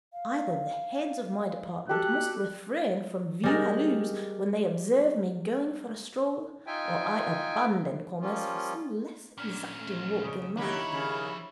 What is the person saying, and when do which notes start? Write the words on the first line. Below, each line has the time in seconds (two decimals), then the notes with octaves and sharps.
Either the heads of my department must refrain from View Halloos when they observe me going for a stroll, or I abandon Commerce for some less exacting walk in life.'
0.13 F5
1.89 F#4 G4 A4 F#6
3.43 G3 G#3 A#4
6.67 D#4 F4 E5 G5 G#5
8.21 F3 G3 A#3 C#4 F4
9.38 A#2 C#4 D4
9.76 A3
10.21 F2 C#3 G#3
10.57 D#3 F3 F#3 D4 E4 G4 C#5 B5
10.89 D#2 C#3